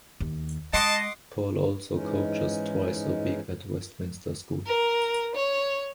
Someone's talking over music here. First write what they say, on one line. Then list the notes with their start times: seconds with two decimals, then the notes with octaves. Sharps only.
Paul also coaches twice a week at Westminster School.
0.20 D#2
0.73 G#3 D#5 F#5 A5 C6 D6
1.93 G#2 E3 G#3 C#4 D#4
4.66 A#4
5.35 C#5